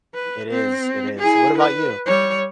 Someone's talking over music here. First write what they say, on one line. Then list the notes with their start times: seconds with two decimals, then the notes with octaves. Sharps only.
It is, it is. What about you?
0.14 B4
0.50 C4
1.19 E4 G#4
1.58 B4
2.05 G3 C#5